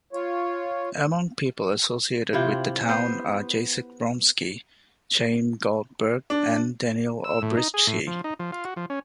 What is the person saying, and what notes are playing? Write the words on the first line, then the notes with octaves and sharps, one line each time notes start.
Among people associated with the town are Jacek Bromski, Chaim Goldberg, and Daniel Olbrychski.
F4 C#5
C3 E4 F4 G4
B3 C5
D4
E6
A2
D#4
G#4
A2
F3
D#4
F3
F4
F#4
F3
C#4